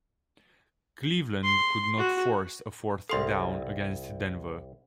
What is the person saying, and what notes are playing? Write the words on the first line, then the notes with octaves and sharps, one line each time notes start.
Cleveland could not force a fourth down against Denver.
C6
F#4
C2 A4 F5 C6